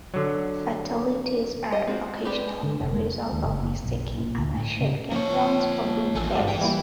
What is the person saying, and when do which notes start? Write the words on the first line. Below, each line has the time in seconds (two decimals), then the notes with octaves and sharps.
Fatalities are occasionally the result of mistaking other shotgun rounds for bean bags.
0.14 D3 F#3
1.72 D#5
1.87 G#3 C4 F4 F#4
2.25 C4 G4 B4 D5
2.63 D3
2.81 F1
2.93 G#3
3.32 D#2
3.44 F#1
3.84 B1
4.20 A#2
4.38 D2
4.54 A2
4.80 C#3
5.12 F3 A#3 C#5
6.15 A1 E2 A3 G#5 E6
6.35 F2 G#2 G4 D5 F5
6.48 E3 G5
6.61 G3 A#3 E4